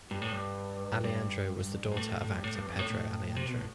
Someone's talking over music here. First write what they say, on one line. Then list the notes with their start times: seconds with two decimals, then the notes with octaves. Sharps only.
Aleandro was the daughter of actor Pedro Aleandro.
0.11 G2
0.22 A2
0.32 G2
1.04 G2
1.92 G2
1.97 A2
2.21 A2
2.33 G2
2.44 A2
2.55 G2
2.67 F2
2.79 A2
2.90 A2
3.36 C3
3.46 B2
3.56 A2